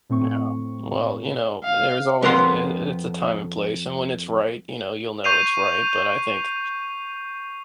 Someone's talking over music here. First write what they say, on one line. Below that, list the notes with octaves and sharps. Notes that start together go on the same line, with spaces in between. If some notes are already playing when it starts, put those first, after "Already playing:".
Yeah. Well, you know, there is always it it's a time and place, and when it's right, you know, you'll know it's right, but I think
A2 C4 C#6
F5
F2 B3 A#4 F#5 C6
C#6 G6 C7 D#7 F7